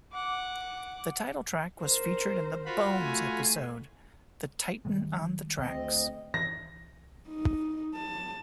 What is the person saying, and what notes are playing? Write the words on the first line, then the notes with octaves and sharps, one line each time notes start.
The title track was featured in the "Bones" episode The Titan on the Tracks.
F#5 D6
A#4 C5
F4 F#4 B5
A3 G#5
D#3 G3 G#3
D2 C4 D#5
E3 E5 A#6
D#4
A5